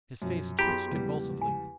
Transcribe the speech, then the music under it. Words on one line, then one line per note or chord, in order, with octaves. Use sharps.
His face twitched convulsively.
F#2 B2 F3
B3 E4 G4 G#4 B5 C6
E2 C#3 F3 G3 G#3
G#5